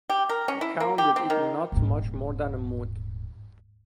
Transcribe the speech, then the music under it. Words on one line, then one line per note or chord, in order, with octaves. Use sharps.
She counted it not much more than a mood.
G4
A#4
C#4
E4
A#3
G4
C4
D#3
D#1 G#2